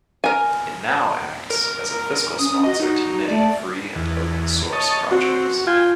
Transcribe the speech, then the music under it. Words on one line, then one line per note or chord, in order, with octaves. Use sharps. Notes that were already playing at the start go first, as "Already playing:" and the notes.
It now acts as a fiscal sponsor to many free and open source projects.
A#4 G#5
A#4
C#4 D#6
F#4 D#5
D#4 F#4
A3 D5
E2
C#5 D#5 A5
C4 F#4
F4 G5 G#5